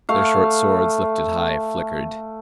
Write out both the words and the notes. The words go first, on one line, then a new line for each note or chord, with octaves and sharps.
Their short swords, lifted high, flickered.
A3 F5